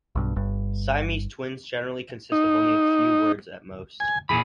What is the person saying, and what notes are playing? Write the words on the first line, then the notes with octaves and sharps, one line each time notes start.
Siamese twins generally consist of only a few words at most.
B1 G2
G1 G2
D#4
G#5
E2 A#2 G#4 B5